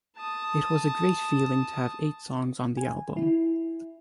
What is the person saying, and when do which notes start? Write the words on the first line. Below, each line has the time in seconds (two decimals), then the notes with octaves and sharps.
It was a great feeling to have eight songs on the album.
0.17 A5 D#6
2.77 G#5
3.17 E4